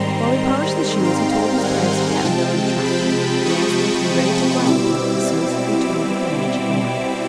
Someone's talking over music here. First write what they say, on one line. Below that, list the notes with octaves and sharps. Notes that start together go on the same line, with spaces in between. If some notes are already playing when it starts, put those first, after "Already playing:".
While he polished the shoes he told his plans to Cap'n Bill and Trot, and asked them to be ready to fly with him as soon as he returned with the Magic Umbrella.
Already playing: G#2 D#3 G3 C4 A#5 C6
F5 G5
F#5 G#5
C3 F3 G#3 C4 G5 A5
A5 B5
C#6 D#6
B2 G3 C4 E4 D6 E6
D6 E6